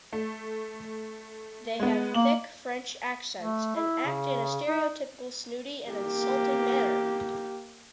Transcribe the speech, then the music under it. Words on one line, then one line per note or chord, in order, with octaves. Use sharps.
They have thick French accents and act in a stereotypical snooty and insulting manner.
A3
G#3 B3
A#3 F#7
A3
E4
C#3
D#4
A#3 G4